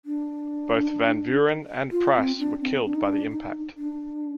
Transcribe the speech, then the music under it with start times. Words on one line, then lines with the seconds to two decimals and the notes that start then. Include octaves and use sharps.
Both Van Vuuren and Pryce were killed by the impact.
0.05 D4
1.92 F4
2.16 C4
2.39 D4
2.62 C4
2.85 D4
2.95 D#4
3.06 D4
3.31 D#4
3.78 D4